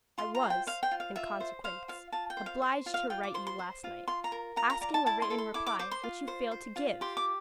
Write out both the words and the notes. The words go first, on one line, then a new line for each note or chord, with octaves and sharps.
I was, in consequence, obliged to write you last night, asking a written reply, which you failed to give!
F4 C6
A#5
C5
G5
C5 F5
G5
F4
F5
F4 E5
C5
C5 F5
F4 F5
F4 A5
G5
C5
F5
C5
F4
F5
F4 G5
D6
C5 C6
C6
C5
F4
F4 C6
A#5
A#4
F4 A#5
A#5
D5 A#5
A5
E4 A5
C6
A4
C6
E4 D6
D6
C5 D6
C6
F4
C5
C5
F4
G4 C6
D6